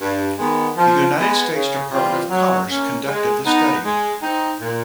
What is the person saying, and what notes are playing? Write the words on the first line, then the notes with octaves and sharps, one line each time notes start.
The United States Department of Commerce conducted the study.
G2
D#3 G#3 B3
F3
G#3 B3
C#3
E3 G3 C4 F4
F#3
A#3 C#4
G#3
B3 D#4
G#3
C4 D#4
A#2